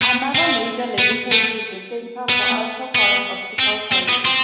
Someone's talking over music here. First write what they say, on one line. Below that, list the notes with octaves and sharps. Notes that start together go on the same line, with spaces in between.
Another major laboratory is the Center for Ultra-Fast Optical Sciences.
B3
C4
B3
A3
B3
B3
C4
C4
B3
C4